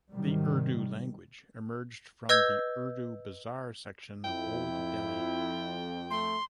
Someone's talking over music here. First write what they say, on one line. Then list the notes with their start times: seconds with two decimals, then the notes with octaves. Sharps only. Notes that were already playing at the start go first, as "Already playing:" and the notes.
The Urdu language emerged from the Urdu Bazaar section of Old Delhi.
0.11 G#2 C3 D#3 F#3 G3
2.29 B4 D#5 E6 G6 G#6
4.24 F2 E4 G5
6.10 A3 C6